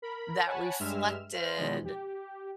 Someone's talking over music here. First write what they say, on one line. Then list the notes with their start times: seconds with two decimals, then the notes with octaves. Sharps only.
that reflected
0.02 A#4 B5
0.46 C#5 F#5 G#5 A5 B5
0.80 G2 G3 G#3 E5 F6 E7
1.34 C5 F5
1.56 B2 D#3 F3 G#3
1.85 G4